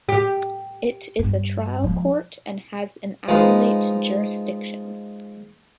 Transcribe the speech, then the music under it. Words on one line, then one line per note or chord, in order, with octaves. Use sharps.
It is a trial court and has an appellate jurisdiction.
G4
G2
F3 G#3
F3 G#3 D#4 B4 F5